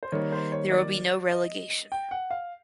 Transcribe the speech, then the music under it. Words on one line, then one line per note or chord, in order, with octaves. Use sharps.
There will be no relegation.
C5
D#3 G3 A#3 C#5
C5
C#5
D5
D#5
G5
F#5
F5